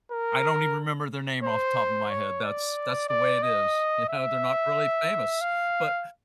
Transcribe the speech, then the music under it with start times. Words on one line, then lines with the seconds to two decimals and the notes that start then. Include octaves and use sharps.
I don't even remember their name off the top of my head, that's that's the way it is, yeah, they're not really famous, but
0.12 A#4
1.43 C5
2.10 C#5
2.43 D5
3.09 D5
3.43 D#5
4.09 E5
5.41 F5